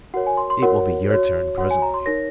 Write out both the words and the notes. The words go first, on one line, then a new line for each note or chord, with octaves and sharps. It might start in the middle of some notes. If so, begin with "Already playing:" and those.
"It will be your turn presently!"
F#4 A#4 C#5 F#5
G#5
C6
C6
F#4 A#4 C#5 F#5
F#4 C#5
F#4 C#5 F#5
G#5
A#5
C6
D#4 A#4 C#5 A#6